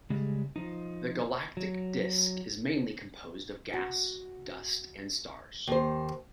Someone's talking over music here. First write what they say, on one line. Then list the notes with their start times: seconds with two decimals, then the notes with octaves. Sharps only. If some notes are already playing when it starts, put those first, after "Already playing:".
The galactic disc is mainly composed of gas, dust and stars.
0.10 C#3 G3 G#3
0.56 F3 D#4
1.57 F#3
3.73 F#4
5.67 D#2 C5